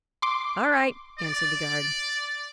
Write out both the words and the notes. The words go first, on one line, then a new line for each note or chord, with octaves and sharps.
"All right," answered the guard.
C6 D6
D5